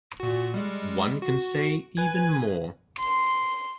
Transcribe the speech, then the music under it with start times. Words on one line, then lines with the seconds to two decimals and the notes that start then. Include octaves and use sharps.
One can say even more.
0.20 A#2 F#4
0.54 G3 G#3
1.22 F#4
1.97 B4 G#5 G#6
2.99 C6